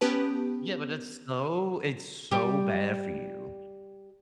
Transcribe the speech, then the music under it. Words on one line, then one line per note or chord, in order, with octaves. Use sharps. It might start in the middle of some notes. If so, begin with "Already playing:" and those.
Yeah, but it's so it's so bad for you.
B3 C#4 G4 B4 A5
G3 G4